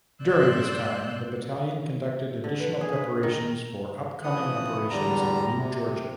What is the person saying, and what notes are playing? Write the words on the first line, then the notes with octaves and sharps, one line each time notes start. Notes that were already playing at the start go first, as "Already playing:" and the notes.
During this time the battalion conducted additional preparations for upcoming operations in New Georgia.
G2 D5 C6 E6 F#6 G6
D3
B4
G#4
B4
D#3
E3 F3 B3 F#5 D#6
E2 D3 G3 A#5
C3